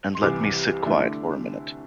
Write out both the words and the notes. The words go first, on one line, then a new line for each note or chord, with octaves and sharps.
And let me sit quiet for a minute.
C6
C2 C3 E3 D6
D3 A3 E4